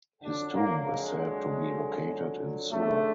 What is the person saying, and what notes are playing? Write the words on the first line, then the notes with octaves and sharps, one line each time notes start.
His tomb is said to be located in Sur.
F2 D3 F#3 D4
A#3
G#3
G#1 F#2 D3 A3